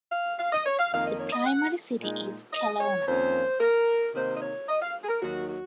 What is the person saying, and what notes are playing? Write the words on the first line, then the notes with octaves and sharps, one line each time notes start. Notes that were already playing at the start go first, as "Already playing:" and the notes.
The primary city is Kelowna.
F5
F5
D#5
C#5
F5
F2 D#3 A#3 D#4 F5
D#5
C#5
D#5
F#5
A#2 G#3 D#4
D#5
C#5
F2 D#3 A#3 C#4 C5
A#4
C3 D#3 A#3 D#4 C5
D#5
C#5
D#5
F5
G#4
A#4
D#2 D#3 F#3 F#4
F#4